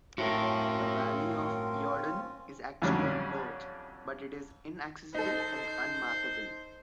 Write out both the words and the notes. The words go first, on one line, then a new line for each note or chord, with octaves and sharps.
The valley of Eodon is actually on Earth, but it is inaccessible and unmappable.
A2 C4 C#4 F4 F#4 A#4
F2 A2 D3 F#3 G3 C#4
D#4 A4 C5